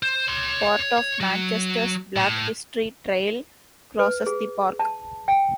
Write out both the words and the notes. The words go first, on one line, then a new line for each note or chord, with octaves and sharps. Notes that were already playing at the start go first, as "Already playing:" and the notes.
Part of Manchester's Black History Trail crosses the park.
C5
C#5 C6
F#3
A2
B4
G#4
A5
G5